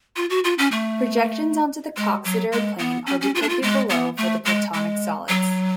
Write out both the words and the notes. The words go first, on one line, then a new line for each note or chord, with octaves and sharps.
Projections onto the Coxeter plane are depicted below for the Platonic solids.
F4
F#4
F4
C#4
A3
G#3
F#3
G#3
B3
C#4
C#4
F4
D4
F4
G#3
B3
A3
G#3
G#3
F#3